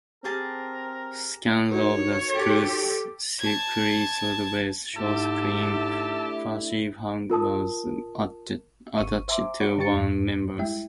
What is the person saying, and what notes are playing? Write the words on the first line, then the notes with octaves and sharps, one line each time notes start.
Scans of the crew's cryotubes show a queen facehugger attached to one member.
C4 G4 G#4 A#4 A5
D#4 F#4 A#4 C#5
G4 A4
A5 G#6
G#2 A3 D4 E4 G4 A5 E6
F4 A#4 A5 D#6
G1 C#6 D#7
C5 E5 G#5 A#5 C6 D6
C#5 F#5 B5 C#7
D3 D4 G4 C#6 A6 C#7
F2 G#2
G3 G#3 E4 E5 G5